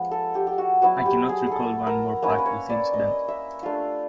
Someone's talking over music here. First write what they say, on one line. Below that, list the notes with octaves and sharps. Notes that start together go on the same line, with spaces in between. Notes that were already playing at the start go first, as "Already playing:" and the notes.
I cannot recall one more packed with incident.
Already playing: F3 G#3 B3
A4
G4
G4
F#4
F#3 B3 E4 F#4
G4
G#4
G#4 A4
A#4
A#3 C#4 E4 B4
A#4
B4
C#5
D5
D#5
E5
A3 D4 F4 F5